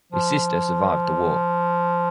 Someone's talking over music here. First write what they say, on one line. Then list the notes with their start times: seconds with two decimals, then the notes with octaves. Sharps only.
His sister survived the war.
0.12 F3